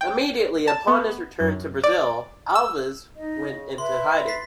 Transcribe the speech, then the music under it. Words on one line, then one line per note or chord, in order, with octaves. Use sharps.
Immediately upon his return to Brazil, Alves went into hiding.
G5
A5
B3
F#2
D5
E6
D#4 D#5
C#3
B4 E5 C6
A6 B6 C7